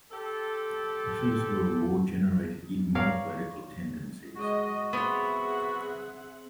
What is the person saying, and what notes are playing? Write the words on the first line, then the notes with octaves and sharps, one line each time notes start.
The First World War generated even more radical tendencies.
C4 G4 A4
A#4 C#5 D5 F5
G#3 F#4 D#5
B3 C4 G#4 C5 E5 F#5